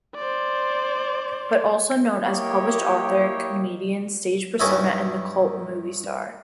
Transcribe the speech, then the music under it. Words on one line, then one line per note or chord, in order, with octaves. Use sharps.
But also known as a published author, comedian, stage persona and cult-movie star.
C5 D5
A#3 E4 G4 C#5 D#5 G5
G2 C#4 D#4 E4 E5